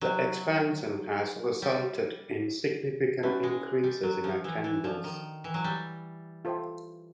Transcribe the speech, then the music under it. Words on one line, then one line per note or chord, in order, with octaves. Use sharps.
The expansion has resulted in significant increases in attendance.
F#3 D#4 G4 A#4 D5 F5
G3 A#4 C#5 F#5
G3 C#4 F#4 B4 E5 A5
G#3
G3
F#3
F3
E3
E3
F3 D4 F#4 A4 D5
D#3
E3
F#3
G3
F4 A4 C5 E5 G5